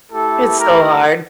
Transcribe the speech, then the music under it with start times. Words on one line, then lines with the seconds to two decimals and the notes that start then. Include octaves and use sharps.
It's so hard.
0.11 A3 E4 G4 A4
0.60 A#4